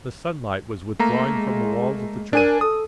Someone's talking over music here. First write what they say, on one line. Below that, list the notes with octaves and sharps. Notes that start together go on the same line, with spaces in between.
The sunlight was withdrawing from the walls of the church.
A3 A#3 A#5
G#3
D4 A#4 G#5 D#7
A4 D#6